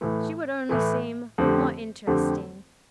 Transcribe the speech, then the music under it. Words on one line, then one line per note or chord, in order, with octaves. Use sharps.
"She would only seem more interesting."
A2 E3 A3
A2 E3 A3
F2 D3 A3 C4 G4
F2 D3 A3 C4 G4